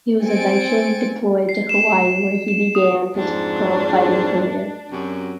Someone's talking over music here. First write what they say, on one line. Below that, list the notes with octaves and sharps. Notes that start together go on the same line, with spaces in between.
He was eventually deployed to Hawaii where he began his pro fighting career.
C4 G#5 A6 C#7 D7
C7
E7
E7
D#6
F2 G#2 D4
F#2 C3 F#3